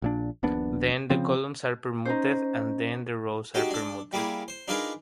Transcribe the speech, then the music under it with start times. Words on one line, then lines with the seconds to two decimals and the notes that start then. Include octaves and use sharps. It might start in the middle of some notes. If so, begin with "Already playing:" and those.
Then the columns are permuted, and then the rows are permuted.
0.02 A#1 A#2 D4
0.43 D#1 A#1 B3 D4
1.10 C#3 F3 C4
2.05 C#4 D#4 C5
3.54 G#3 D#4 F#4 G4
3.71 D4 A4
4.13 G3 A#3 E4 G#4
4.48 C5
4.68 D4 D#4 F4 G#4 A#4 B4